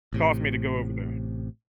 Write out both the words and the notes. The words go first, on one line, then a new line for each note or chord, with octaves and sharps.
cause me to go over there.
A1 A2 C3